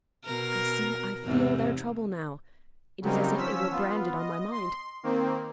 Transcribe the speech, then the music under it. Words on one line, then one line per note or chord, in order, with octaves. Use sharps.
I see,--I feel their trouble now; it is as if it were branded on my mind.
B2 A#4
E2 G#2 C3
C#3 F#3 G3 A#3 C4 D#4
F3 C#4 E6 B6
B3 F4
D#5
C6
D#3 A#3 C4